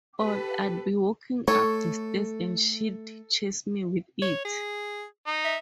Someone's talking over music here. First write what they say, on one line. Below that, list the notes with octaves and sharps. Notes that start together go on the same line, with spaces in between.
Or I'd be walking up the stairs and she'd chase me with it.
G4 A4 B4
A3 A4 C#5
C#5
G#4
D#4
E5